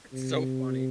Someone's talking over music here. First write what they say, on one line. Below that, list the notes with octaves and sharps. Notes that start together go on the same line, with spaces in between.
It's so funny.
C3